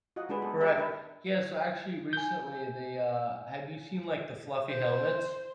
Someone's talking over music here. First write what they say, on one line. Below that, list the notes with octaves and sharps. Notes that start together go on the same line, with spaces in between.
Correct. Yeah, so, actually, recently, they, uh have you seen, like, the fluffy helmets?
F4 F#4 D#5 F#5
G#3 D4 G#4 B4
B3 A4
G4 D5 E5 G5 A5 A#5
D4 A#4 B4
G#5 G6
C5